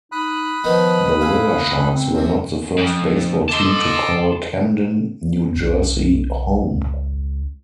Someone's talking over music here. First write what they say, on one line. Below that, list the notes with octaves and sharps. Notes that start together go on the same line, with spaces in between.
The Riversharks were not the first baseball team to call Camden, New Jersey home.
D#4 B5 D#6 F#6
D#3 F3 B3 D#4
E4 F5
C4
F#2 C3
F2
A4 D#5 A5 C6 D6
B1
C#2